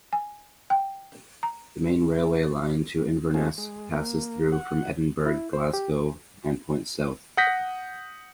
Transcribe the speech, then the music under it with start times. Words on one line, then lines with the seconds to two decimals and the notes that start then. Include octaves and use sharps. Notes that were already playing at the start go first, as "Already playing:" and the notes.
The main railway line to Inverness passes through from Edinburgh, Glasgow and points south.
0.13 G#5
0.70 G5
1.43 A#5
3.34 A3 C4 F4 G#4
3.58 G#3
3.92 A#3
4.52 F#5
5.26 E4
5.53 C5
5.73 G4
7.37 F#5 D#6 G6 A#6 B6